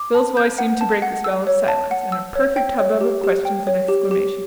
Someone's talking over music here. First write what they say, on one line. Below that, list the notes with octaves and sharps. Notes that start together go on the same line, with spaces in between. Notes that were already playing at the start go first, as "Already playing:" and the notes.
Phil's voice seemed to break the spell of silence, and a perfect hubbub of questions and exclamations began.
Already playing: D6
A5
G6
F#5
A5
F#5
E6
C#5
A5
F#5
E6
C#5
G5
C#5
G4
G4
G5
C#5
G4
G4